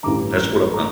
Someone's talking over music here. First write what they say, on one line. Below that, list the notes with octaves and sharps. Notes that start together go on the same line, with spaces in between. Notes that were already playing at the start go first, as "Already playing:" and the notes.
That's what I've done.
A1 G2 D3 A#5 D6
A#5